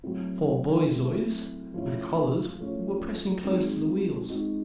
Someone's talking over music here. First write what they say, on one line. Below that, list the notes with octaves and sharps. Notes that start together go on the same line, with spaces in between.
Four borzois with collars were pressing close to the wheels.
F#3 A3 C4 E4
F#3 A3 C4 E4
F3 A3 C#4 E4
F3 A3 C#4 E4
G#3 C4 D#4 F#4
G#3 C4 D#4 F#4